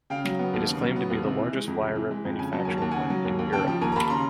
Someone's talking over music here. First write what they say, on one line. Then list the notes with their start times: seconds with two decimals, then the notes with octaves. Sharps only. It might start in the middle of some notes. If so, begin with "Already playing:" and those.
It is claimed to be the largest wire rope manufacturing plant in Europe.
0.10 C#3 F5 G5
0.25 F#3
0.39 B3
0.53 D#2
0.68 C#3
0.82 F#3
0.96 B3
1.10 D#2
1.24 C3
1.39 E3
1.53 G#3
1.67 F2
1.82 C3
1.96 E3
2.11 G#3
2.25 F2
2.39 C#3 G#5
2.52 F#3 A5
2.65 D#2 G#5
2.78 D#2 A5
2.91 C#3 F#5 G#5
3.10 F#3
3.25 D#2
3.39 D#2
3.53 C#3 G5 A5
3.67 F3 G5 A5
3.81 D#2 G#5 A#5
3.92 A#5
3.96 D#2 A5 B5
4.10 C#3 A#5 C6